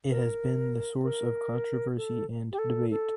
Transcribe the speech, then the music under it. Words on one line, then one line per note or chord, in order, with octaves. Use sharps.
It has been the source of controversy and debate.
A#4
A#4
A4
G4
A4
A4